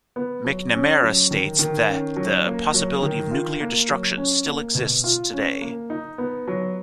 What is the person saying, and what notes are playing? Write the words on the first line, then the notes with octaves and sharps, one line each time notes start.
McNamara states that the possibility of nuclear destruction still exists today.
B3
F#3
C#4
F#3
D#3
D#3
C#4
F#3
A#3
F#3
D#3
F4
A#3
F#3
C#4
A#3
B2
F4
C#4
A#3
D#4
B3
F#3